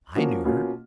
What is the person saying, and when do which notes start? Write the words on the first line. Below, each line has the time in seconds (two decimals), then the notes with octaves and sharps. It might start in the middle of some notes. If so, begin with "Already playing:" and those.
I knew her.
0.15 F3 A#3 C#4 F#4
0.45 B2 A#3 C#4 F4